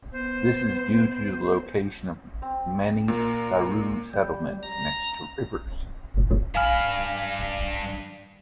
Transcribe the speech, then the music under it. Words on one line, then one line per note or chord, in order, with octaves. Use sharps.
This is due to the location of many Tharu settlements next to rivers.
B3 C5
C4
A#2 A#4
G3
A#5
G2 F5 G#5 B5 F6